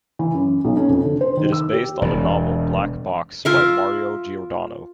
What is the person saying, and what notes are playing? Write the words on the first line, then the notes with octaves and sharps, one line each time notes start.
It is based on the novel "Black Box" by Mario Giordano.
E3
F#2
B1
C#4
F2
D3
C5
D#3
E6
G4
E1
F4 A#4 E5